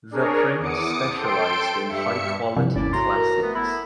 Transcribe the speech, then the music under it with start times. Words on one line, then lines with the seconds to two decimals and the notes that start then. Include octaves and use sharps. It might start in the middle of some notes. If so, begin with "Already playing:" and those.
The print specialized in high quality classics.
0.11 D4 G#4 A#4 C#5
0.58 E2 D6 D#6 C#7
1.16 A4 G5 C6 D7
1.88 G2 E5 C#7
2.56 G2 C3 E3 F3
2.76 G1 D#2 C#4 D4 E4 D5
2.93 A2 F#4 A#5 C6
3.16 A#4
3.42 E3 A3 B3
3.55 A3 B3 E4 B5